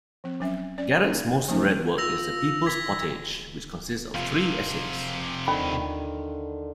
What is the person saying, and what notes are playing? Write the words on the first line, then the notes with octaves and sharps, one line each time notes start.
Garrett's most-read work is "The People's Pottage", which consists of three essays.
F3 C4
F#3 C#4 E5
C#4 D5
A#3 C#4 D#4 E4
F3 A3 C#4 D#4 C5
F4 E6 A#6 F7
G#6 B6
F2 C3 F4
D#2 D3 D#3 B5